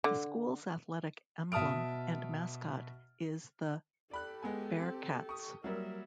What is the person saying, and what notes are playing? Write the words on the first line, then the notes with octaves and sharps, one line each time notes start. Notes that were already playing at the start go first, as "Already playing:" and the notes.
The school's athletic emblem and mascot is the "Bearkatz".
D3
B2 E5 A5 D#6 F6 D7
G4 A4 D5 B5 F#6
G#3 B3 G#5
C4
C#6 D#6
F#3 G3 A#3 A#4 E5